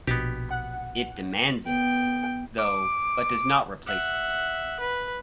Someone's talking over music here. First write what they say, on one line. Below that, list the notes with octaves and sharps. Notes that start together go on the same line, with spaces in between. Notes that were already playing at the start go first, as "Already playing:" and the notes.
It demands it, though-but does not replace it.
A#1 B2 B3 G4
F#5
B3 G5
D6
E5 F#5
B4